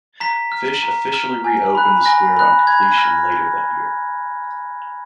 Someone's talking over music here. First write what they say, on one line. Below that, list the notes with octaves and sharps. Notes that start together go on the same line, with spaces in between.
Fish officially reopened the square on completion later that year.
A#5 B6
F6
A#5
F6
G#5
B5 F#6
G#5 A#6
B5 F#6
B5 G#6
F6 A#6